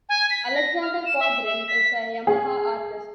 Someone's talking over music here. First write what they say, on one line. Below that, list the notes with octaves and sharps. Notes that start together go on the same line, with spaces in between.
Alexander Kobrin is a Yamaha Artist.
G#5
B6
A#6
F6
E7
E5
E5
B6
G#4